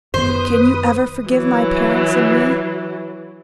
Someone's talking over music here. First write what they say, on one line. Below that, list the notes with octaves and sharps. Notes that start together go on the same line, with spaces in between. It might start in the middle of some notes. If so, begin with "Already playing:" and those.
Can you ever forgive my parents and me?
F#2 D#3 B3 B4 C5 D#6
E3 F#3